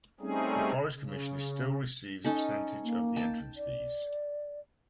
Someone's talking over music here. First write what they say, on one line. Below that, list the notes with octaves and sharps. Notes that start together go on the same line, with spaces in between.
The Forest Commission still receives a percentage of the entrance fees.
G3 A3 C4 C#4 D#4 G#4
C#3
C#4 D#4 A4
A#3
G5 A5
D5